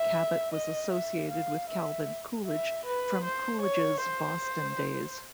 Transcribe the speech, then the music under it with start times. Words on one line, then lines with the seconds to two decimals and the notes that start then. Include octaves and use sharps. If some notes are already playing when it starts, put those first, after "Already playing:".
Cabot was associated with Calvin Coolidge from Coolidge's Boston days.
Already playing: E5
0.54 D#5
0.93 E5
1.31 F5
1.70 E5
2.47 E5
2.86 B4
3.25 C5
3.63 C#5
4.01 C5